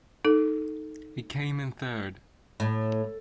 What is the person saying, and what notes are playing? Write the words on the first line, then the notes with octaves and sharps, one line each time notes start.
He came in third.
D#4 A4
A2